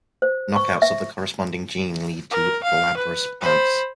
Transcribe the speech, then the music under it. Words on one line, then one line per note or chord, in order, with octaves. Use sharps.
Knockouts of the corresponding gene lead to glabrous plants.
C5
C#6
E5
A#4
F5
B4
C5 B5